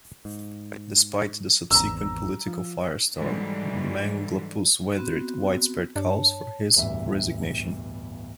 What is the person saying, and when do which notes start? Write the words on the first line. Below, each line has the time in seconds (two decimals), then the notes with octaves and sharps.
Despite the subsequent political firestorm, Manglapus weathered widespread calls for his resignation.
0.25 G#2
1.71 G#1 E2 A#5 E6
2.47 F3
3.16 G#2 D3 E3 F#3 G3
4.95 B3 C4 F#4
5.96 G2 D4 C#5 A5
6.76 D1 E2 G2 E5